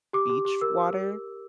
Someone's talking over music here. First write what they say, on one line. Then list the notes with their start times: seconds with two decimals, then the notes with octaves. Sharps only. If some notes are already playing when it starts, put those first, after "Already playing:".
beach water
0.13 G4 D6
0.30 G4
0.45 G4
0.61 A#4 E6